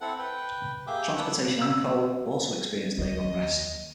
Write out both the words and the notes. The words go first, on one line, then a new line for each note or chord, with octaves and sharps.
Transportation and coal also experienced labor unrest.
C4 E4 A4 F#5
B4 G5
A#3 G4 G#4 E5 G5 D6
B3 D4 F#5 E6
E6
D#2 D#5